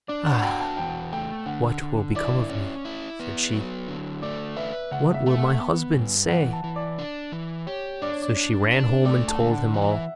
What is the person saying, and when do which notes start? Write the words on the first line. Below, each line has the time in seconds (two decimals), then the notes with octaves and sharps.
'Ah! what will become of me?' said she; 'what will my husband say?' So she ran home and told him all.
0.08 D4 D5
0.26 F#5
0.37 F#5
0.43 F#4 G5
0.61 A5
0.77 E2 G5
1.12 A3 G5
1.46 D3 F#5
1.82 D3
2.15 E4 D5
2.49 C#4
2.85 E4
3.20 B3
3.53 F#3
3.88 D3
4.22 A3 D5
4.57 B4 E5
4.91 C#3 F#5
5.14 E5
5.26 A3
5.38 F#5
5.61 B3
5.94 G2
6.29 E3 F#5
6.53 A5
6.64 E3
6.76 D5
6.98 D4
7.32 E3
7.67 G4 C#5
8.02 D4 D5
8.12 C#5
8.22 D5
8.36 D4
8.71 D4
9.05 A3 D5
9.28 A5
9.39 D3
9.51 F#5
9.74 E3 F#5
9.91 E5